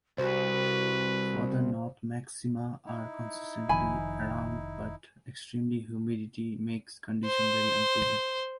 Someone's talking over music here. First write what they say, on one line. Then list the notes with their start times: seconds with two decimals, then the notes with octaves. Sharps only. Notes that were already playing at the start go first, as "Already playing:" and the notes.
Further north, maxima are consistently around but extreme humidity makes conditions very unpleasant.
0.18 C2 F#4 B4 C5
2.86 D#4 E4
3.69 F1 D#3 F3 G#5 B5
7.26 C5